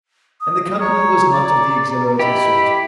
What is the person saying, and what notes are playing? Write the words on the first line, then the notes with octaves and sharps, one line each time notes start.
And the company was not of the exhilarating sort.
D#6
C#5 A#5
D5
E4 G4 D#5 B5